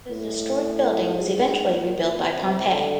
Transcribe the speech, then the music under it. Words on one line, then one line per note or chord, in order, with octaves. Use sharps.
The destroyed building was eventually rebuilt by Pompey.
A2
G#2
A#2
C3
D3